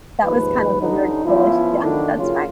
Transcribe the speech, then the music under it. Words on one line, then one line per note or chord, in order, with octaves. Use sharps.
that was kind of a weird push. Yeah, that's right.
D#2 G#2 F3 B4
D3 G3 C#4 D#4
F3 B3 C#4 E4 F4
D3 D#3 F#3 A3 D4 E4
C#3 F#3 A#3 C#4 F4